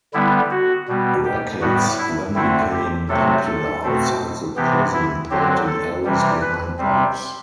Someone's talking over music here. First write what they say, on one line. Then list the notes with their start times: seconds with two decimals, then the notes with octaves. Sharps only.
Rackets then became popular outside the prison, played in alleys behind pubs.
0.14 D3 G3 B3 E4
0.51 F#4
0.88 B2 G3 B3
1.25 G4
1.61 A2 G3 B3 F#4
1.98 E4
2.35 D3 A3 C4 E4
2.72 G4
3.08 C3 F#3 A3 C4 A4
3.46 A4
3.83 B2 A3 C4
4.56 C3 E3 B3 G4
4.94 E4
5.31 D3 F#3 C4 G4
5.67 A4
6.05 C3 E3 G3
6.41 B4
6.78 C3 G3 C4